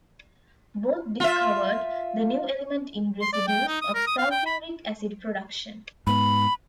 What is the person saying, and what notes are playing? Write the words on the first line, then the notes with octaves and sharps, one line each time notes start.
Both discovered the new element in residues of sulfuric acid production.
F4 E5
C6
D5
G5
D#4
D#6
A#4
D#6
F5
G5
B5
G#2 B3 B5